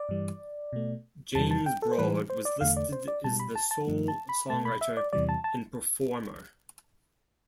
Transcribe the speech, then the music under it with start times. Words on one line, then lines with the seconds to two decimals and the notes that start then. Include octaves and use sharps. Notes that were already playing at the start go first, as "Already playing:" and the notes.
James Broad was listed as the sole songwriter and performer.
Already playing: D5
0.09 G2 E3 G3
0.73 B2 A3
1.35 E2 C3 E3 G3 A5
1.51 A5
1.66 G5
1.82 A4
1.92 C5
1.98 A2 E3 G3 B4
2.30 C5
2.45 D5
2.61 E2 D3 A3 F5
2.77 D5
2.92 C5
3.08 D5
3.24 B2 G3 A5
3.40 B5
3.55 A5
3.71 A5
3.87 G2 F3 A3
4.08 A5
4.29 B5
4.50 B2 A3 A5
4.65 B5
4.81 E5
4.97 D5
5.13 E2 C3 E3 G3 D5
5.29 A5
5.44 A5